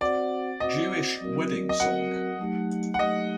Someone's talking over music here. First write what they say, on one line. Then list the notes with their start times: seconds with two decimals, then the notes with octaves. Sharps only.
Jewish Wedding Song.
0.01 C4 F#4 C5 D5 F#5
0.60 C4 F#4 C5 D#5 F#5
1.21 F#3 C4 F#4 A#4
1.69 D#5
1.80 F#3 C4 F#4 A#4 F#5
2.39 F#3 A3 D#4 G4
2.94 F#5
2.99 F#3 A3 D#4 G4 D#5